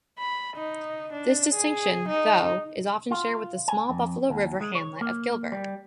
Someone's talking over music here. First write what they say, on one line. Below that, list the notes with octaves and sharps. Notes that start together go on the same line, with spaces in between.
This distinction, though, is often shared with the small Buffalo River hamlet of Gilbert.
B5
D#4
D4
G#4
D#4
F4
G#5
F2
D#2
G#3
C#5
A#3
G3